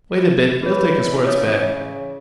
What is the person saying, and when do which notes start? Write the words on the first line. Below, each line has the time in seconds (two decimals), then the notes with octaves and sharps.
Wait a bit, he'll take his words back.
0.12 E4
0.63 E3 G#4 B4 C#5 D5 E5
1.27 C#3 C#5 D#6